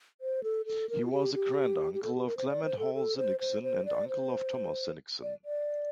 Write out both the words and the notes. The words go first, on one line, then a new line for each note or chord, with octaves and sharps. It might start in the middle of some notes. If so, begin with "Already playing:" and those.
He was the granduncle of Clement Hall Sinnickson and uncle of Thomas Sinnickson.
C5
A4
A4
A#4
F4
G4
G4
G4
A4
G4
A#4
C5
D5
C5
A4
A4
C5
C5
C5
D5
C5
D5
D5